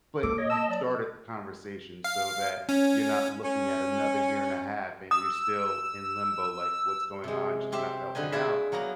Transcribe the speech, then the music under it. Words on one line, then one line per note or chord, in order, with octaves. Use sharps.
But you started the conversation so that you're not looking at another year and a half, and you're still in limbo, like, what's going on? She's not helping out.
A#3 A4 D6
C#5 D#5
A5 E6
F#3 D5
F5
C#4
C#4
D#6 E6
C3 G#3
C4 G4 C5 E5
D3 B4 D#5 G#5
E4 F4 G#4 B4 D5 E5
F#3 A#3 B3 A#5